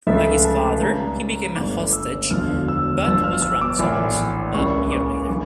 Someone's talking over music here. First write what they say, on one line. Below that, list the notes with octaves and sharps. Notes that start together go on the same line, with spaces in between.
Like his father he became a hostage but was ransomed a year later.
C#2 C#3 F3 A3 E5
A5
C#2 C#3 G3 A#5
A#5
G1 G2 D3 A3 D6
E6
E1 D2 D3 F3 F6
E6
G1 G2 F3 E6
F6
E6
D6
A#1 A2 E3
C#2 C#3 G3 A#3 C#4 C#6
D6
D3 F3 D6